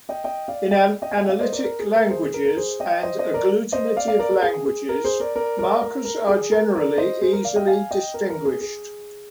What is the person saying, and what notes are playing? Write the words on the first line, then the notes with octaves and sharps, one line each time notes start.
In analytic languages and agglutinative languages, markers are generally easily distinguished.
D#5 G5
D#5 G5
D5 F5
D#5 G5
D#5 G5
G#5
D#5 G5
D5 F5
C5 D#5
A#4 D5
A#4
G#4
A#4
G#4 C5
G#4
A#4
A#4
G#4 C5
D#5 G5
C5 D#5
C5 D#5
A#4 D5
C5 D#5
D5 F5
D5 F5
A#4 D5
A#4
G#4
G#4
A#4
G#4 C5
A#4 D5
A#4 D5
A#4 D5
A#4
A#4
G#4
A#4
A#4 D5
C5 D#5
G#4 C5
A#4
D5 F5
D#5 G5
F5 G#5
D#5 G5
A#4
A#4
G#4
G#4